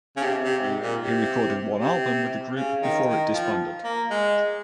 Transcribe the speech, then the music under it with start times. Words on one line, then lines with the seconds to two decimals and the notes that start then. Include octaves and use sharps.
He recorded one album with the group before it disbanded.
0.16 C#3
0.23 C3
0.43 C3
0.62 G#2
0.81 A#2
1.01 C3
1.78 C3
2.55 C#3
2.81 D#3
3.06 D#3
3.33 F3
3.84 A#3
4.10 G#3